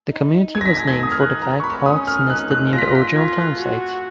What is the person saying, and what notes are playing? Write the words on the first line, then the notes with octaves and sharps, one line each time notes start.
The community was named for the fact hawks nested near the original town site.
D#4
D#4 G#6
A#6
B6
A#6
G#6
D#6
F6
F#6
A#5
C#6
B5
C#4 D#6
F6
D#4 F#6
F#6
F4 A#6
B6
A#6
B6
A#6
F4 G#6
F#6
F#4